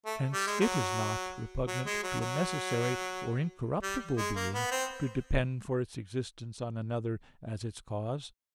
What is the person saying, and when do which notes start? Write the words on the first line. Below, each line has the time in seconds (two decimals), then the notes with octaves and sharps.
Hence it is not repugnant to a necessary or incorruptible being to depend for its existence on another as its cause.
0.06 A3
0.33 G3
0.47 G#3
0.60 F#3
1.67 F#3
1.86 G#3
2.03 F#3
2.21 F#3
3.83 G3
4.17 G#3
4.35 A#3
4.54 B3
4.71 C4